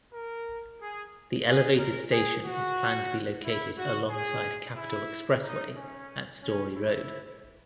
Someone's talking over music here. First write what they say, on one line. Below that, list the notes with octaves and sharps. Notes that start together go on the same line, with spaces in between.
The elevated station is planned to be located alongside Capitol Expressway at Story Road.
A#4
G#4
G#4
A#4
G#4
F#4
E4
F#4
G#4
E4
D#4
C#4
C#4
E4